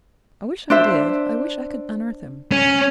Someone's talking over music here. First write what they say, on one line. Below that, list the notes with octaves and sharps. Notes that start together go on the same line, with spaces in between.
I wish I did; I wish I could unearth him.
D4 C5 E5
C#4